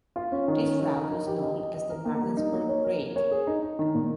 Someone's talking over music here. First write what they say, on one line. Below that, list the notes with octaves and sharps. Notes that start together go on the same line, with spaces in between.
This route was known as the Martinsburg Grade.
F4
C#4
D#3
C#4
D#4
A#4
D#4
G4
D#5
D#5
D#5
A#4
A#3
G3
D#4
A#3
C#5
A#4
A#4
C#5
G#4
D#4
D#4
D#3
A#2